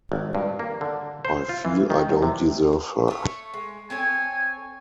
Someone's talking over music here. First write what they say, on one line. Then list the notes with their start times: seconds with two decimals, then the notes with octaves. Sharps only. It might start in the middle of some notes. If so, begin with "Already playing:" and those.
I feel I don’t deserve her.
0.12 G#1
0.35 G2
0.59 A#3
0.81 D3
1.25 C5
1.49 F4
1.65 E3
1.90 D#3
2.09 C2
2.22 C3
3.08 A3 C#5
3.54 G#3
3.90 C4 A4 C#5 G#5